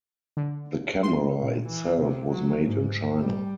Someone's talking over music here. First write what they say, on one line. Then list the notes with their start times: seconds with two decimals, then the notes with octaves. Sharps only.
The camera itself was made in China.
0.37 D3
1.03 C6
1.40 A#2
1.68 E3
2.00 C3
2.31 F#3
2.63 G#2
3.19 G3